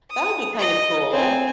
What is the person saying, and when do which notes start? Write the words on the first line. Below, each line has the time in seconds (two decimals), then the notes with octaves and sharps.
That would be kinda cool.
0.11 D#6
0.58 D#5
1.11 C4 G#5